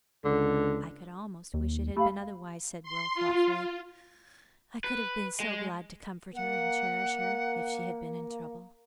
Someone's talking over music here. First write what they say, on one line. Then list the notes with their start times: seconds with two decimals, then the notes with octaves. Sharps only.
"I could almost wish it had been otherwise," said Will, thoughtfully. "I could have been so glad to comfort her, and cherish her, if she had been in trouble."
0.24 C#2 D3
1.54 D#2
1.97 A3 G4 F5 B5
2.83 C6
3.14 F4
4.84 B4
5.40 G#3
6.35 A#3 F#5